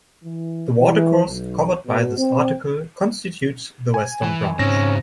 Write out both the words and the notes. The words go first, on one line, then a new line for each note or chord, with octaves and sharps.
The watercourse covered by this article constitutes the western branch.
E3
E3
B1
B2
C4
G#5
E3
G#2 C#3 C4 C#4 A#6